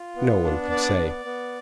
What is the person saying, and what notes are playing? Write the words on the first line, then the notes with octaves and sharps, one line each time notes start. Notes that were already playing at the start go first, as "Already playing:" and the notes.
No one could say.
Already playing: F4
B3
D4
B3 D5
B3
B3